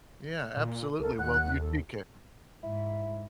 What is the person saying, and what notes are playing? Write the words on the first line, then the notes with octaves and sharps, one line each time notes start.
Yeah, absolutely, well, you take care.
A#2
C#2 A4 A#4
D#2 F#5 F#6
A4
G#2 E4